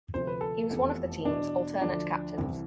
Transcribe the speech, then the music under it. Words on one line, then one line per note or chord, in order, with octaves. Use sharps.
He was one of the team's alternate captains.
D2 C3 F3 C5
B4
A4
F1 E2 C3
E2 B2 D4
D2 D3 F3 D4
C2 C3 E3